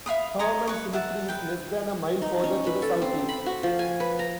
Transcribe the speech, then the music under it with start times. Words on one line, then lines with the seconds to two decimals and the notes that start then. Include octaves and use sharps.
Harman Cemetery is less than a mile further to the southeast.
0.06 E5 F5 B5 D#6
0.39 C#5 D#5 A#5
0.67 B4 C#6
0.93 E5 F#5 A5
1.28 B4 G5
2.22 D#4
2.44 C#4
2.67 B4
2.82 A4
3.02 C4
3.29 B5
3.46 F#4
3.63 F3
3.79 G#5
4.00 B4
4.19 A#5